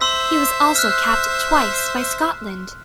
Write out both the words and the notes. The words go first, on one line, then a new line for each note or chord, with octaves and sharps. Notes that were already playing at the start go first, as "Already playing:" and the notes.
He was also capped twice by Scotland.
C5 E5 C6 E6 B6
F6 F#6